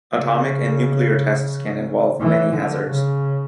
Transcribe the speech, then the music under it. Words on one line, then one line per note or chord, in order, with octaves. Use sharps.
Atomic and nuclear tests can involve many hazards.
C#3
E3
D3
C#3